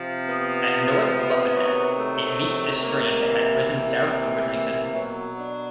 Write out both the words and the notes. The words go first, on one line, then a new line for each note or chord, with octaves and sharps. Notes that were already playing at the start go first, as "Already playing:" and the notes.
At North Luffenham, it meets a stream that had risen south of Ridlington.
Already playing: C3 F3
B3
B3
C3 D#3 F#3
A3
A#3
C3 E3
A#3
B2 F#3
D4